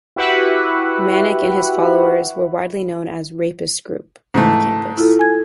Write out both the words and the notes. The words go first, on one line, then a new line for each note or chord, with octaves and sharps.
Manik and his followers were widely known as ""Rapist Group"" in the campus.
E4 F#4 G4 B4 E5 F#5
G#2 E3 A3
E4 F4 A4
G#5 G#6